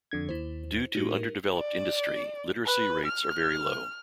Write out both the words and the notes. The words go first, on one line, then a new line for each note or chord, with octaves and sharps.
Due to underdeveloped industry, literacy rates are very low.
F2 D3 G#6
D#2 E4 C5
A2 D#4 F#4 G4
A#4
D5
B4
F6